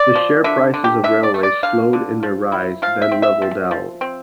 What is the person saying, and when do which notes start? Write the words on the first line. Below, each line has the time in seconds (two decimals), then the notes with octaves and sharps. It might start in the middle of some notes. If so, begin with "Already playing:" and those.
The share prices of railways slowed in their rise, then levelled out.
Already playing: D5
0.15 F3
0.44 D3 E5
0.74 D3
0.84 G4
1.04 D3 E5
1.23 D5
1.34 A3
1.43 D5
1.63 D3 F5
1.93 D3
2.23 F3
2.52 E4
2.82 F3 F5
3.02 E5
3.12 C4
3.22 E5
3.42 F3
3.71 F3
4.01 C4